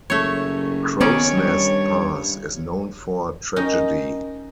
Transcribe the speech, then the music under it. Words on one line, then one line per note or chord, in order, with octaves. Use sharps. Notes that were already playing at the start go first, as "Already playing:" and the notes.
Crowsnest Pass is known for tragedy.
F#1 A3 C#5
D#3 B3 C#4 C#5 D5
G2 G3
C#4 D#4 A#4 G5